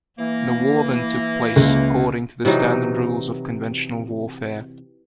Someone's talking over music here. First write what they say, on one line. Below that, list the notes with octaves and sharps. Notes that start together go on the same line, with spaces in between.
The war then took place according to the standard rules of conventional warfare.
E3 A#3
C#2
C3 E3 F#3 D#4